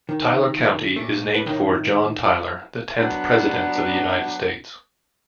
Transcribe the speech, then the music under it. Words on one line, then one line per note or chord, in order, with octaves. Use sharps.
Tyler County is named for John Tyler, the tenth President of the United States.
D#3
A#2 A3
B4
A2 D#3
F#3 B3 D4